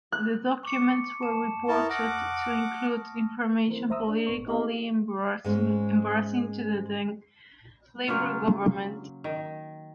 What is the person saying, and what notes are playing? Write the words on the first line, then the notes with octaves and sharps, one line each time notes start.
The documents were reported to include information politically embarrassing to the then-Labour Government.
F#6
C#6 D6 C#7
A5 E7
E4 A#4 A5 C#6 D#6
F#5 D6 F6 A#6
E3 F3 C4 A#4 C5
A#1 C5 E5 A#5 D#6 E6
D4
G1 A#2 B3 C#6
B3 D#4 G4 A4 D#5 F5
G#2 G#3 C#4
C#3 F#3 A#3 F4
D#3